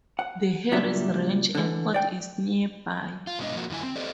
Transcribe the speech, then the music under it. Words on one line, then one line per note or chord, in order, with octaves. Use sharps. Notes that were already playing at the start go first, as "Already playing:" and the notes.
The Harris Ranch Airport is nearby.
F#5
C#2 A#2 F#3 G3 D4 E5
D3 E3
D5 G5
F4
G2 B2 G#3 B3 D4 D#5
F3 A#3 F#4
F#2 D3 E4 G#5
C4
G4 A4 C5 D5 D#5